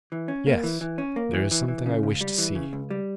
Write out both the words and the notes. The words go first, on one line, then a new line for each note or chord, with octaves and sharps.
"Yes, there is something I wish to see."
E3
C#4
A#3
E3
E3
C#4
A#3
E3
E3
E3
C#3
C#2
G3
E3
C#3
C#2
G3